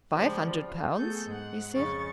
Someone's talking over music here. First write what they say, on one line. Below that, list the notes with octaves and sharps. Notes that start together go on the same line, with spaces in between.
"Five hundred pounds," he said.
C#3 F3 G3 G#3
F4
A3 B3 G#4 A4 G6
G#2 F#5
F2 C#3 C#6 A6